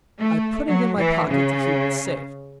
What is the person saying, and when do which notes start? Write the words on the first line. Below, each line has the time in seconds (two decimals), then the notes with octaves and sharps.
I put it in my pocket to keep it safe.
0.20 A3
0.68 F#3
0.99 E3
1.29 C#3